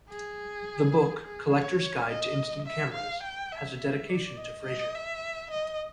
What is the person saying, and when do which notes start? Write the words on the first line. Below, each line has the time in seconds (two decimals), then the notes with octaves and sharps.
The book "Collector's Guide to Instant Cameras" has a dedication to Fraser.
0.09 G#4
1.23 G#4
1.52 C#5
2.08 D#5
2.66 E5
2.94 F5
3.23 G5
3.52 E5
3.81 E5
4.09 D5
4.37 D#5
4.66 D#5
4.95 E5
5.51 D#5